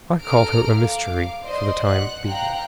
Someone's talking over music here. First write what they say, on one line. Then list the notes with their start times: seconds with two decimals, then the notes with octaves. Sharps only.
I call her a mystery, for the time being.
0.23 A4 A#5 F6 D7
0.79 F5 D6
1.45 C5 D5 D#5 C6
1.86 F#5 F#6
2.27 F5 G5 A#5 F#6